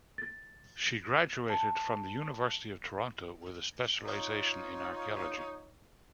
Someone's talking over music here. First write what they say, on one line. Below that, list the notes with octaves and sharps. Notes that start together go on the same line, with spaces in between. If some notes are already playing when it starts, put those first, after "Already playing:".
She graduated from The University of Toronto with a specialization in Archaeology.
A6
A5
D#4 F4 C#5